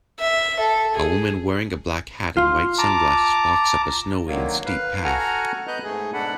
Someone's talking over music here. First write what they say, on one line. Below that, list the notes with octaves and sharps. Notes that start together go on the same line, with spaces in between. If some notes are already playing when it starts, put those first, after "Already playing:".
A woman wearing a black hat and white sunglasses walks up a snowy and steep path.
E5
A4
G#4
F4
A5 A#5 D6
D3 D#3 F#3 A#3
B4 F5
F#4 A4 F#5 G#5 A#5 F6
B3 B4 D#5 F#6 G6
G#2 A3 G#4
G#2 B2 D4 A4 F#5 B5